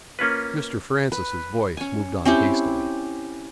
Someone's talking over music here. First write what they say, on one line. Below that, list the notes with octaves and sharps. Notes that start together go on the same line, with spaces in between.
Mr. Francis's voice moved on hastily.
A#3 C#4 F4 B4
B4
C#4 G#5
C4 C#4 E4 G4